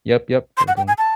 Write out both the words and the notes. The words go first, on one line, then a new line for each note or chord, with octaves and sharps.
Yep, yep. Have a good one.
C6
F#5
G5
G#5
A5